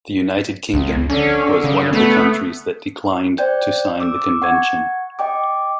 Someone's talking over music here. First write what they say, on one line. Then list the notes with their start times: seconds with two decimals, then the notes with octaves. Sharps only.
The United Kingdom was one of the countries that declined to sign the convention.
0.74 C#2
1.10 D3 C#4
1.64 C#3
1.93 A3 B3
3.38 C5 D5 G5 G6
4.00 D6 E6
4.42 F#5 C#6 G#6
5.19 D#5 G5 D6